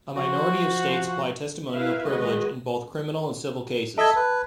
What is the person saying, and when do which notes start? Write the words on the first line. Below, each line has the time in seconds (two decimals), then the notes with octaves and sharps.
A minority of states apply testimonial privilege in both criminal and civil cases.
0.17 F3 F#4
1.73 E4 A#4 B4 E5 F5
2.07 D#3 G#3 F#4 G#4 B4 D#5
3.98 A4 D#5 E5 A5 G#6
4.16 B4